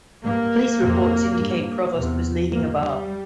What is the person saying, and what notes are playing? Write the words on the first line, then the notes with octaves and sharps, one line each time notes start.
Police reports indicate Provost was leaving a bar.
G2 A#3
F2 C3
G2
E2 C3
G2 A#3
G3